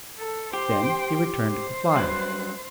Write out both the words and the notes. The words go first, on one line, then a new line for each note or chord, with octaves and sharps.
Then he returned to the flier.
A4
G4 C5 G5
C5
G2 F#3 B4